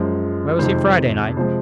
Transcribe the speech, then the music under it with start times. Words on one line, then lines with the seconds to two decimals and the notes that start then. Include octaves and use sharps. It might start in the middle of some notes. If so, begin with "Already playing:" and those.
Where was he Friday night?
Already playing: F#2 F3 G#3 C5
0.59 F2 C3 D#3 G#3 C5
1.37 C3 F3 G#3 C5